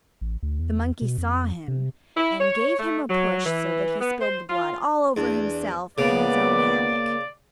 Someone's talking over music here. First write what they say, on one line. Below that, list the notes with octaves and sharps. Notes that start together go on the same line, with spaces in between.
The monkey saw him and gave him a push so that he spilled the blood all over himself and his own hammock.
A1
D2
E2
B2
F2
C3
E4
C#5
A3
F#3
E3
B3
C5
F4
E2 D4
C#2 C#3 A#3 B3 D5